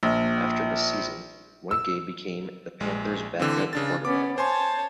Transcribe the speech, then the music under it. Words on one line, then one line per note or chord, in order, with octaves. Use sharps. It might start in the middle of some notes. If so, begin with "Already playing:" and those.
After the season, Weinke became the Panthers backup quarterback.
A#1
E6
A#1 G#3
D3 E3 C4
C#3 D4 A6
B3 C#4 D6
C5 C#5 G#5 A5 C6